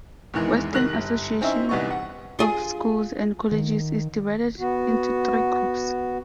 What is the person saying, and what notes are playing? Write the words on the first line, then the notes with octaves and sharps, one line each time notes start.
Western Association of Schools and Colleges is divided into three groups.
E2 D#3 E3 G#3
C2 D#3 F#6 A#6 F#7
G1
C4 C#4 D#4 E4 E5
C2 E3 B3 D#4 C#6
F#5
F4 G#4
D#3
B3 F#4